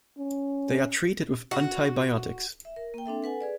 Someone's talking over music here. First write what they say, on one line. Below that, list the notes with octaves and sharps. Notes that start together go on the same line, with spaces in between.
They are treated with antibiotics.
C#4
F#4
E5
A#4
A#3 G5
C4 D4 A4 E5
A4 B4 F#5 G#5
G#4 B4 D5